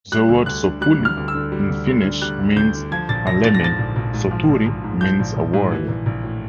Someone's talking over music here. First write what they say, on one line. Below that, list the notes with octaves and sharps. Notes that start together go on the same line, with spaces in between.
The word "sopuli" in Finnish means a lemming, "soturi" means a warrior.
G3 F#6
D2
D2 F#6
D3
G3 F#6
D2
F6
D2
E6
D3
G3
D2
D2
D3
G3 F#6
D2
D2 G6
D3
F3 G#6
A#1 A6
A#1 A#6
G#2 A6
A#6
F3 A6
A#1
A#1
G#2
F3
A#1
A#1
G#2
F3 G6
A#1
A#1
G#2
E3
A#1
A#1
A2